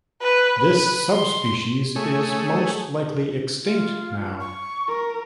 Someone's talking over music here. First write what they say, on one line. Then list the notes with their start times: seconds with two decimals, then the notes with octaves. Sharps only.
This subspecies is most likely extinct now.
0.21 B4
0.58 B4
1.12 C6
1.96 A3 G#4 C#5
3.64 F4
4.40 C#6
4.88 A#4